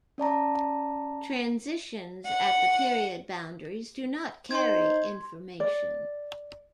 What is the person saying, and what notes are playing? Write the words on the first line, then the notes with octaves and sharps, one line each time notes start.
Transitions at the period boundaries do not carry information.
C#4 D5 A5 A#5
F#5
D#4 C5 C6 G#6
D5